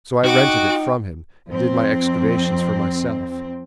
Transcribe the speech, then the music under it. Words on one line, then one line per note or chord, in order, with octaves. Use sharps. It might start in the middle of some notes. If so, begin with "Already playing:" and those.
So I rented it from him, and did my excavations for myself.
D#4 F#4 F#5 G5 D6
F2 C4